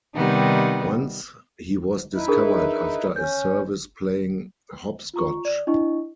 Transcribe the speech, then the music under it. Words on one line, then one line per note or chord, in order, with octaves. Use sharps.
Once he was discovered after a service playing hopscotch.
C3 D#3 G3 B3 D#4
D#4 E4 B4
D4 G#4 A#4
C#4 G6
F4 A#5 C#6
D5
D4 E4 D#5 C#6